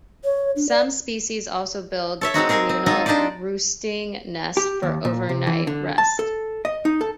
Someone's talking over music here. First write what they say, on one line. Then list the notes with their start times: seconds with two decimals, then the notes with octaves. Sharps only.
Some species also build communal roosting nests for overnight rest.
0.24 C#5
0.56 D4
0.69 D5
2.21 A4 C#5 E5
2.34 G#3 C4 D#4 F#4
2.49 C4 G#4 A#4 F5 G#5
2.69 C4
2.86 G#3 D#4 F4 A4 D#5 G#5
3.06 D4 D#4 G4 C5 D5
4.57 G4
4.83 D#2
5.05 A#2
5.29 C3
5.47 E3
5.67 D3
5.98 A5
6.19 A4
6.65 D#5
6.85 D#4
7.01 A4